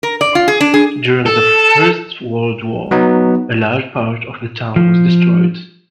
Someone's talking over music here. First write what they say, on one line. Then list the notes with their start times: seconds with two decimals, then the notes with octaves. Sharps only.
During the First World War a large part of the town was destroyed.
0.03 A#4
0.21 D5
0.35 F4
0.48 G#4
0.61 D4
0.74 G#4
1.26 A4
2.91 F#3 B3 D#4
4.76 F3